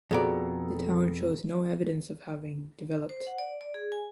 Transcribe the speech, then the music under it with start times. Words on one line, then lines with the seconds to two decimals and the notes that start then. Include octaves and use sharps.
The town shows no evidence of having developed.
0.11 F2 B2 G#4 A4 D5 A#5
3.09 C5
3.27 F#5
3.38 D5
3.61 D5
3.74 G#4
3.92 G#5